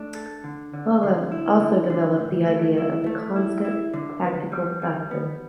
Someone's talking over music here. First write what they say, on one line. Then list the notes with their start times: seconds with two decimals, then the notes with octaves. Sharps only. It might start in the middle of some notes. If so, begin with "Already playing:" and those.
Fuller also developed the idea of the "Constant Tactical Factor".
Already playing: A3 D4
0.15 A4
0.44 D3
0.73 D3
1.03 D3
1.32 E4
1.61 D3
1.90 D3
2.19 A2
2.48 A3
2.78 E4
3.06 A3
3.36 E4
3.65 E4
3.94 D3
4.24 B3
4.52 G3
4.82 G3
5.11 B3